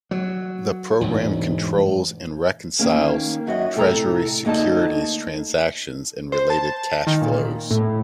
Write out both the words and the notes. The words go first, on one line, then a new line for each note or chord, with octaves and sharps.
The program controls and reconciles Treasury securities transactions and related cash flows.
F#3
E1 D2 G#2
D#3 A#3 C#4
F#2 F#4 D#5
A2 C3 A4 A5 A#5
D2 A#3 D#4 A4 A5
C5
A5
D#3
A#2
A2